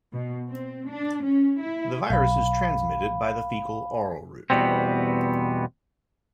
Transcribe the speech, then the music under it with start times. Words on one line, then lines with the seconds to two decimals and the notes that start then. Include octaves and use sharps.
The virus is transmitted by the faecal-oral route.
0.13 B2
0.49 C4
0.87 D4
1.23 C#4
1.62 E4
2.10 B1 F5 B5
4.50 E2 B2 G3 B3 C4